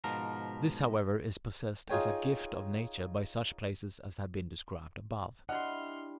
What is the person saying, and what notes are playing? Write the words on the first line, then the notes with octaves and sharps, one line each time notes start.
This, however, is possessed as a gift of nature by such places as have been described above.
G#2 B2 F3 A#4
D#4 F4 G#4 C#5 G5
D4 E4 G4 D#5 F#5 C6 F6